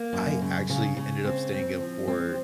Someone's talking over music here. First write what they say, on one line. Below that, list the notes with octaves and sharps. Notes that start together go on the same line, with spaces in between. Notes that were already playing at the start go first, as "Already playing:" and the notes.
I actually ended up staying up for
Already playing: A#3
F#2
C#3
C#3
C#3
C4
C4
F3
C4